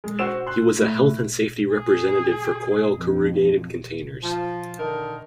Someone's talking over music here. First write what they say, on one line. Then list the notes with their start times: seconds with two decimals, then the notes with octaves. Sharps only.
He was a health and safety representative for Coyle Corrugated Containers.
0.04 G#3
0.19 F#4 C5 E6 E7
0.47 C6 F#6
0.77 A2
1.73 G#4
2.94 F2
4.22 F3
4.78 D3 D#3 A#4